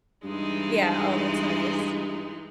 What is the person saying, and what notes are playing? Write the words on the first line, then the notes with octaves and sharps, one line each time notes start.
Yeah. Oh, that's nice.
G2 E3 G#3 D#4